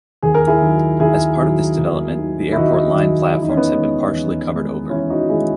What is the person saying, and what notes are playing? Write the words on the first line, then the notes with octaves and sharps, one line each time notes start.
As part of this development, the Airport line platforms have been partially covered over.
D#2 G#4
A#4
E4 G#4
D#3 F#3
D#2 E4 G#4
D#3 F#3
D#2
D#3 F#3
E4
D#2 D#4 F#4
D#3 F#3
E2 E4
D#4
C#4
B3 D#4
D#3 G#3
E2
D#3 G#3
E2 C#4 E4
D#4 F#4
D#3 G#3 E4 G#4